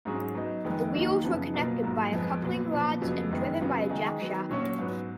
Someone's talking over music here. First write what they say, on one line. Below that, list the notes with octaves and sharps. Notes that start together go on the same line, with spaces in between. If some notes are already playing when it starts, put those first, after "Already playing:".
The wheels were connected by coupling rods and driven by a jackshaft.
G#2 F#3 C#4 G#4
F#3 B3 D#4
F2 D#3 G#3 B3
D#3 F#3 A#3 D#4 F#4
F#2 C#3 F3 B3
B2 F#3 A#3 F4 B4
G#2 F#3 A#3
F2 F3 G#3 B3
A#2 F#3 B3
A#2 F3 B3
F2 C#3 F#3 B3 F#4
F#2 D#3 G#3 B3
C#3 F#3 B3 F4
D#3 G#3 D#4 G#4
D#3 F#3 B3
A#2 F#3 C#4 F#4 C#5
G#2 F#3 B3